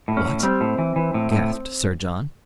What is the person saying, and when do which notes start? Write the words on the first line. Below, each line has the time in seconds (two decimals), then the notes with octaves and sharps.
"What!" gasped Sir John.
0.08 A2
0.17 C#4
0.25 A2
0.43 G3 C4
0.61 A2
0.78 E3
0.96 E3
1.14 A2
1.32 A2